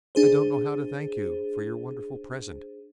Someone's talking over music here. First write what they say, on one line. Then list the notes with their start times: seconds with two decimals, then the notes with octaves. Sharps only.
I don't know how to thank you for your wonderful present.
0.15 D4 G#4 C5